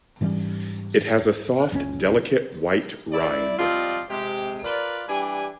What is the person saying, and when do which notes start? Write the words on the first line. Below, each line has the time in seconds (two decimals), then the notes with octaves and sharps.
It has a soft, delicate white rind.
0.21 G#2 E3 G3 C#4
1.72 F#1 C#2 C3 C#4
3.12 E4 D5
3.58 F3 G3 C4 F4 D5 D#5
4.09 C3 G#3 G4
4.64 F4 A#4 B4 D5
5.08 E3 G3 D4 G4 G#5